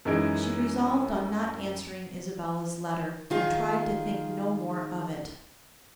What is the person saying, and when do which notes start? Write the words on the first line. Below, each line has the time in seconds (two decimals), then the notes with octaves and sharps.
She resolved on not answering Isabella's letter, and tried to think no more of it.
0.05 F#2 E3 G#3 D#4 G#6 D7
3.30 D#3 F4 G#4